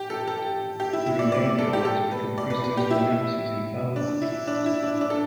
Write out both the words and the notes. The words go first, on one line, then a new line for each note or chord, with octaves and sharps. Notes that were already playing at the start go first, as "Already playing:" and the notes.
The remainder were to become prisoners of the Nazis in Poland.
Already playing: G4
A4
A4
G4
E4
E4
D5
D5
A4
G4
A4
B4
D5
B4
B4
G4
E4
D4
E4
D4
E4
D4
D4
A4